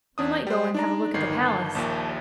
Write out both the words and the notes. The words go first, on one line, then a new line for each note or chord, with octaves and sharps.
'We might go and have a look at the Palace.'
E2 D4 D#6
G3 C5 G5
D4 D#4 D5 A#5
G1 D#3 C7
A5 G6
A#1 D#2 A#2